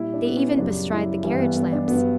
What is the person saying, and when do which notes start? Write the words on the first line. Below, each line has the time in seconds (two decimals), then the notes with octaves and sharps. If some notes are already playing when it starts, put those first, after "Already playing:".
They even bestride the carriage lamps.
Already playing: A#2 G3 E4
0.14 D4
0.26 B3
0.37 C#4
0.57 F#2 C#3 G3 D4
0.90 E4
1.23 G2 E3 G3 E4
1.39 B3
1.56 B3
1.73 D4
1.88 G2 F#3 B3